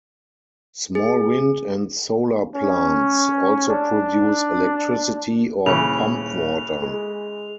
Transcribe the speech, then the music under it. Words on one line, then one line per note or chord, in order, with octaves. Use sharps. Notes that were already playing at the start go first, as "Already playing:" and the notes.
Small wind and solar plants also produce electricity or pump water.
G#4
C#4
D4
D#1 C#3 E3 F7
G#3